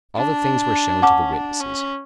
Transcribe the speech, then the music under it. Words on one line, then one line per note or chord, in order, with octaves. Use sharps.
All the things were shown to the witnesses.
D4
C#4 F#5 A5 D6
D4
C#4